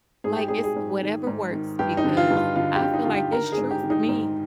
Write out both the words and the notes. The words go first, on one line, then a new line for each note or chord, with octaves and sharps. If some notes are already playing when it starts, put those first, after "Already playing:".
like, it's whatever works because I feel like it's true for me.
G#2 G#4
G4
G#2 G#4
G#4
G#2
D#3
G#2
D#3
G2 G4
D#4
D3
F4
G2
F4
D3 F4
G4
D3
D#4
D3 F4
G4
D#3 A#4
G#4
G#2
G4
D#3
D#4
G#2